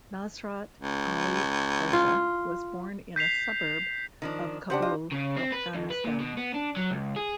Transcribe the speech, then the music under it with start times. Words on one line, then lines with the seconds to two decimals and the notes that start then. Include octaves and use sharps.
Nasrat Ali Parsa was born in a suburb of Kabul, Afghanistan.
0.77 C#2
1.93 F4
3.16 G6 B6 C7 F7
4.22 D#3 F3 D4
4.70 C#3 D4 G4 C5 F#5
4.82 F4 D#5
5.12 C#3
5.36 C4
5.52 B4
5.75 F2
5.90 B4
6.04 A#2
6.20 B2
6.37 B3
6.54 D4
6.76 F#3
6.91 C#2
7.17 G#4